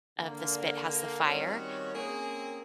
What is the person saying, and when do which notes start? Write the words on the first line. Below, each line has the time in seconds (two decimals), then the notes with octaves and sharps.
of the spit has the fire,
0.19 D3 A#3
1.22 D#3 G3 C4 C#4 F#4 C#5
1.94 A#3 C4 C#4 G#4